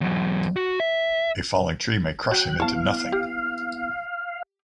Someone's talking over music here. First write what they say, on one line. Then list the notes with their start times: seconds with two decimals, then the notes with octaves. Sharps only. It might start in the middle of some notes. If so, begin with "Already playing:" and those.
A falling tree may crush him into nothing.
0.01 E2 F#3
0.56 F#4
0.80 E5
2.31 F#3 G5 F#6
2.60 B3 E4 C#5 F5 A5
3.12 G4